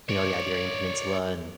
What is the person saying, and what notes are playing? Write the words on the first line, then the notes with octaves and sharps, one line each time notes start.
you know, the Iberian Peninsula and
C#5 D5